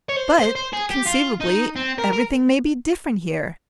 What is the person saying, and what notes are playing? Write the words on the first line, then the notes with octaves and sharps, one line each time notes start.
But, conceivably, everything may be different here.
C#5
C5
C5
C5
G#4
G4
F4
D#4
C4
A#4
A#4